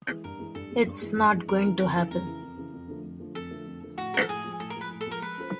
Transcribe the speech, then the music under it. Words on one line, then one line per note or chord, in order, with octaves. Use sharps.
It's not going to happen.
E3 G#3
G2 A#4
E3 G#3
G2 A4
E3 G#3
G2
E3 G#3
G2
E3 G#3
F2 A#4
C#3 E3
F2 A#4
C#3 E3 A4
F2 A#4
C#3 E3
F2
C#3 E3
F2
D3 F3 A3
F2
D3 F3 A3
F2 A4
D3 F3 A3
F2
D3 F3 A3
A2 F#4
F3 G#3 A#4
A4
A2 G#4
F3 G#3
A2 A4
A#4
F3 G#3
B4
A2
A4
F3 G#3 A#4
G#3 B4
C#4 F4 A4 C5